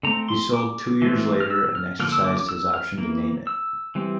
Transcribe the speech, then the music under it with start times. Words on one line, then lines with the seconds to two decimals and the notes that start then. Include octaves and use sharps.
He sold two years later and exercised his option to name it.
0.03 D3 A3 C4 A#5
0.29 C6
0.53 D6
1.02 E3 A3 C4
1.40 F6
1.50 E6
1.75 F6
2.00 D3 F3 A#3 F6
2.12 E6
2.24 D6
2.37 D6
2.49 E6
2.74 F6
2.98 E3 A#3
3.47 E6
3.95 E3 G3 C4